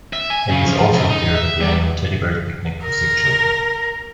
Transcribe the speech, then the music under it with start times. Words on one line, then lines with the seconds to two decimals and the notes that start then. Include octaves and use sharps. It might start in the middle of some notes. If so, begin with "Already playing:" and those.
Hayes also appeared at the annual Teddy bears picnic for sick children.
0.13 E5
0.30 G#5
0.50 C#3
0.67 F3
0.93 C#2
1.10 D#4
1.35 E5
1.61 G3
2.84 A#4